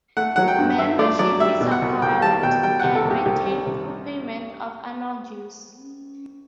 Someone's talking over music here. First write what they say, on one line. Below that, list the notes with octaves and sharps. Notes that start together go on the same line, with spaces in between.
Membership is acquired and maintained through payment of annual dues.
A3 F#5
F#3 F#5
G5
G2
G2 E5
A3 D5
F#3 D5
G3 E5
B2
F#5
C2
C2 G5
G3 A5
B2 G5
G3 G5
C3 F#5
A4
C2
G4
C2 G4
G3
C3